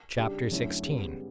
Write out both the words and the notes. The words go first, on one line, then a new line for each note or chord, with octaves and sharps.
Chapter XVI.
C#3 G3 D4 G4
F#2 D3 A3 C#4 E4
C#3 G3 B3